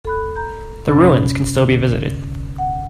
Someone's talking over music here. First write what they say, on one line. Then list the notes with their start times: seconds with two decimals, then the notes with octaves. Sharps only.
The ruins can still be visited.
0.05 A4 B5 F#6
0.36 A#5 G6
0.87 F#2 C3 C#4 B5 A6
1.57 D3
2.58 F#5